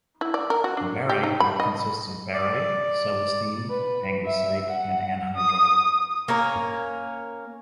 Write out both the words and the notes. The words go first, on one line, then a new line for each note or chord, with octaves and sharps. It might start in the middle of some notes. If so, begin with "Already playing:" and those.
The "baryte group" consists of baryte, celestine, anglesite and anhydrite.
E4
D5
A#4
F#4
D4
G4
D#4
B5
D#5
D5
B4
E5
F#5
D#6
A#3 C#4 A#4